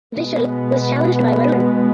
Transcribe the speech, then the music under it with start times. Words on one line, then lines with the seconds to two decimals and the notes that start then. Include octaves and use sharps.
Vishal was challenged by Varun.
0.15 B2 G#3 B3